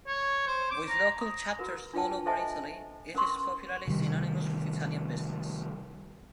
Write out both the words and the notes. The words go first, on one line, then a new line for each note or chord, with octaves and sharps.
With local chapters all over Italy, it is popularly synonymous with Italian business.
C#5
C5
D6
A#5
A#5 D#6
F#4 A#4 B4
D4 F4 B4 G5 A5
A4 C5 D#5 E5 G#5 A5
C#4 A#4 B4 C6 C#6
C3 D#3 G3